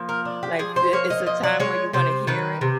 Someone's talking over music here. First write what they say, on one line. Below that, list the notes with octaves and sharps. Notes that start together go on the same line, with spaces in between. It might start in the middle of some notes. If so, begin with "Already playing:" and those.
like, th it's a time where you wanna hear it
Already playing: F3 A#3
A#4
D4
G4
F3 G#4
C5
A#3 C#5
D#5
F3 D#5
D5
G#3 C#5
C3 C5
D#3 B4
C3